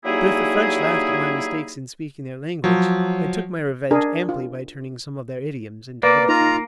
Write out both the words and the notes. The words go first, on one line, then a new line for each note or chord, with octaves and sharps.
But if the French laughed at my mistakes in speaking their language, I took my revenge amply by turning some of their idioms into ridicule.
F#3 G3 A#3 D#4 E4 G#4
F3 F#3
D4 G#4 A#4
F4
A#3 B4 D5
D#4 F4 A#5